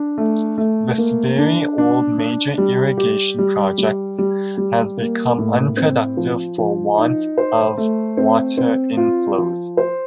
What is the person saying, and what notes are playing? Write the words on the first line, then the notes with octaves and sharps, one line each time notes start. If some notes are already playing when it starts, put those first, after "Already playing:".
This very old major irrigation project has become unproductive for want of water inflows.
Already playing: D4
A3
A3
A#3
D4
D4
D4
G3
G4
G3
G3
G3
G3
A#3
A2
C4
F3
F3
D#4
C5
A3
C4
C4
F4
F3
C5